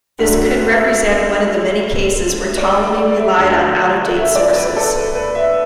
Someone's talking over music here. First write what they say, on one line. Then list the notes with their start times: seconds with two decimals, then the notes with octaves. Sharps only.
This could represent one of many cases where Ptolemy relied on out-of-date sources.
0.19 D2 D3 F#3 F#5
0.45 F#5
0.71 E5
2.58 D5
2.96 D5
3.17 E5
3.36 D2 D3 F#3 F#5
4.16 E5
4.36 D5
4.56 B4
4.76 A4
4.96 B4
5.15 B4
5.35 E5